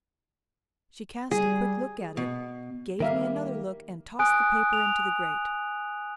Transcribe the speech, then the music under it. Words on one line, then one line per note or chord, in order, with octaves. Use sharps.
She cast a quick look at it, gave me another look and tossed the paper into the grate.
G3 G#4
B2
D#3 G3 A#3 A#4 E5 F5
G#5 D#6 F#6 D7
F7